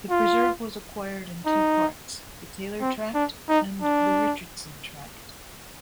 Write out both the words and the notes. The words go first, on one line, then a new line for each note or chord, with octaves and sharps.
The preserve was acquired in two parts, the Taylor Tract and the Richardson Tract.
F4
D#4
C4
D4
D#4
D4